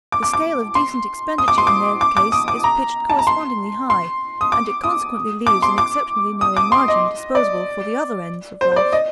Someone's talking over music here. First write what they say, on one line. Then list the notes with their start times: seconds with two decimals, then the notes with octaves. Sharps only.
The scale of decent expenditure in their case is pitched correspondingly high, and it consequently leaves an exceptionally narrow margin disposable for the other ends of life.
0.12 D6
0.23 D6
0.33 D6
0.75 C6
1.38 D#6
1.48 D6
1.58 C6
1.67 D6
2.01 D6
2.17 D6
2.32 D#6
2.48 D6
2.64 A#5
3.10 A5
3.19 A#5
3.27 C6
3.90 C6
4.41 D#6
4.52 D6
4.84 D#6
5.47 D6
5.62 C6
5.78 D6
6.41 D#6
6.57 D6
6.72 C6
6.88 D#5
7.35 D5
8.61 C5
8.72 C5
8.76 D5
8.93 D#5